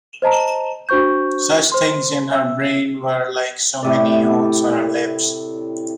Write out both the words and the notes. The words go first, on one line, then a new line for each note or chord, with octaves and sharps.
Such things in her brain were like so many oaths on her lips.
C5 D#5 A5 A#5
D4 F#4 C5 C#6 G6
C5 C6
E5 E6
A2 C3 D5